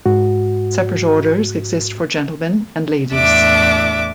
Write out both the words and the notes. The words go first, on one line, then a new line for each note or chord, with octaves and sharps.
Separate orders exist for gentlemen and ladies.
G#2 F#4
E2 A2 D4 E5 D6